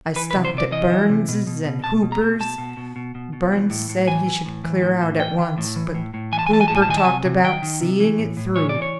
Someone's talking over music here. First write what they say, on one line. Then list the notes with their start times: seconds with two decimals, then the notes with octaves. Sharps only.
I stopped at Burns' and Hooper's. Burns said he should clear out at once, but Hooper talked about seeing it through.
0.16 E3 B4
0.31 B4
0.35 C3
0.45 C5
0.54 C3 D5
0.72 E3 D#5
0.90 E3
1.09 C3
1.28 B2
1.47 B2
1.65 B2
1.84 B2 A5
2.02 B2
2.12 A#5
2.21 B2
2.40 B2 A5
2.58 B2
2.77 B2
2.96 B2
3.15 B2
3.33 B2
3.52 E3
3.70 A2
3.89 A2
4.08 E3 G#5
4.26 E3
4.45 A2
4.64 E3
4.82 A2
5.02 A2
5.19 E3 G5
5.39 E3
5.58 A2
5.76 E3
5.94 A2
6.14 A2
6.32 E3 G#5
6.39 A5
6.47 G#5
6.50 E3 A5
6.61 G#5
6.68 A2 A5
6.76 G#5
6.82 A5
6.89 D#3 G#5
6.98 A5
7.04 C3 G#5
7.25 C3
7.44 D#3 G5
7.62 D#3
7.81 C3
8.00 E3
8.18 A2
8.37 A2
8.56 E3 C#5
8.69 D5
8.75 E3
8.82 C#5